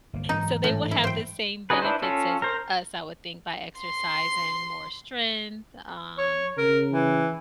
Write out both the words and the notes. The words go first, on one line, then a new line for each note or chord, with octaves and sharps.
so they will have the same benefits as us, I would think, by exercising, more strength, um
G1 A#3
G#2 E3 F#3 D#4
A2
E4
C5 G5
C#4 D#4 F#4 G#4 B4
D4 E4 B4 C5
C#4 F4 A4
A#4 C5
C6
C#5
C#3 A#4
E3